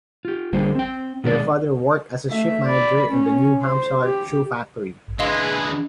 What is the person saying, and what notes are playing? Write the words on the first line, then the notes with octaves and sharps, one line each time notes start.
Their father worked as a shift manager in a New Hampshire shoe factory.
F4 G4
D3 G3 A#3 G#4 C5
C4 G5
B2 D#3 G#3 D4 D#4 D5
A3 E5
D5 B5
C#4
C5
G4
D3 G#3 E4 G#4 B4 D#5 F5 C6